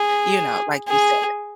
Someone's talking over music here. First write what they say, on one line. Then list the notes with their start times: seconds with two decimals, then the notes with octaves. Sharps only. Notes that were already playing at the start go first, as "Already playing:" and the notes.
you know, like you said
Already playing: G#4
0.88 G#4